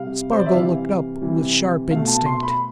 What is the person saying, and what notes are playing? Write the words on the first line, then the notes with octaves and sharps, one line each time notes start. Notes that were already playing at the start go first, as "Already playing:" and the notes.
Spargo looked up with sharp instinct.
Already playing: C3 G3 F5
C5
D5
E5
C3 E3 G3 F5
C3 E3 G3
B2 A3 F5
A5
C6
B5